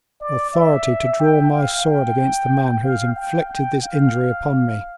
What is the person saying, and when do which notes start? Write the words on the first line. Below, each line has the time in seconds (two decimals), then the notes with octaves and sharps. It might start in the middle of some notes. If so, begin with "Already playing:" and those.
"Authority to draw my sword against the man who has inflicted this injury upon me."
0.21 D5
0.53 E5
1.20 G5
1.53 F5
1.85 G5
2.84 F5
3.17 G5
3.49 G5
3.83 F5